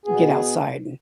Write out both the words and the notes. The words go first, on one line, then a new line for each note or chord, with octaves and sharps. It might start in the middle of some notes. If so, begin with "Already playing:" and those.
get outside and,
B2 B3 G#4